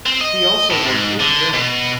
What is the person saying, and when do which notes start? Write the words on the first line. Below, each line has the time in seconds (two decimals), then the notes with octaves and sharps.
He also worked in film.
0.06 C4
0.21 D#5
0.71 A2
0.86 G#2
1.20 D3
1.54 B2